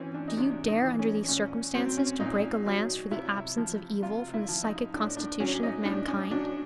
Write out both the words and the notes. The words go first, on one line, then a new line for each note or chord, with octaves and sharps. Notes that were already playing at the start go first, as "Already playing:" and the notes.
Do you dare under these circumstances to break a lance for the absence of evil from the psychic constitution of mankind?
Already playing: E3 C4 C#4
D4
D#4
C3 D4
D#4
E3
C#4
A#2 C#4
F#3 C4
C#4
A#2 D#4
F#3
C3 E4
F3
C3 F4
E4
F3
D#4
A2 D4
D4
F#3 C#4
D#4
A2 D4
C#4
F#3 D4